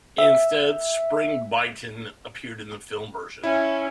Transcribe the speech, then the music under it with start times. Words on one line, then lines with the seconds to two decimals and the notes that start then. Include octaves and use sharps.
Instead, Spring Byington appeared in the film version.
0.18 E5
3.43 C#4 E4